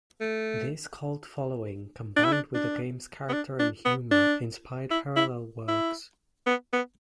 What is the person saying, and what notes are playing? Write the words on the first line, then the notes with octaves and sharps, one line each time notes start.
This cult following, combined with the game's character and humor, inspired parallel works.
A3
D4
E4
D4
D4
B3
D4
D4
B3
D4
E4
E4
E4
B3
B3